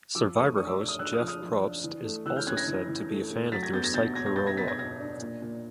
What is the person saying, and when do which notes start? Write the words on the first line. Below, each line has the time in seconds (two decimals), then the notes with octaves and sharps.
Survivor host Jeff Probst is also said to be a fan of the Recyclarolla.
0.15 F3 D6 E6
0.36 A3 C#6 D#6
0.57 D4 C#6 D#6
0.67 D6 E6
0.78 D4
0.88 D#6 F6
0.99 D4 E6 F#6
1.13 D#6 F6
1.20 F3
1.27 D#6 F6
1.42 F3
1.63 D4
1.84 E3
2.04 A3
2.26 E3 E6 F#6
2.36 F6 G6
2.47 C#4 F#6 G#6
2.57 G#6 A#6
2.68 E3
2.89 E3
3.10 A3
3.31 A3
3.52 F#3 A6 B6
3.63 G#6 A#6
3.73 B3 G6 A6
3.84 G#6 A#6
3.94 B2 G6 A6
4.15 B2 G#6 A#6
4.26 G#6 A#6
4.36 B3 G6 A6
4.47 G#6 A#6
4.57 B3 A6 B6
4.68 G#6 A#6
4.79 B2 G#6 A#6
5.00 D4
5.20 A#2
5.42 A#2